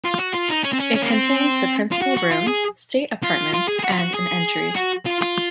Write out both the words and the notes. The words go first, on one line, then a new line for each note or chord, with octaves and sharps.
It contains the principal rooms, state apartments and an entry.
F4
F#4
F4
D#4
C#4
C4
C#4
C#4
A#3
C4
F4
F#4
F#4
F4
G#4
F4
F4
G#4
G#4
F#4
F4
F#4
G#4
F#4
F4
F4